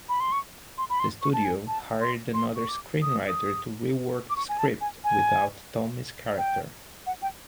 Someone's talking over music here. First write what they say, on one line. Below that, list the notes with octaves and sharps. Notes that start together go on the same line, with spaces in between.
The studio hired another screenwriter to rework the script without Tomei's character.
B5
C6
C#6
C6
B5
C6
C#6
A5
G#5
A5
C6
C6
C#6
D6
D#6
D#6
D6
C#6
G#5
A5
G#5
G#5
G5
F#5
G5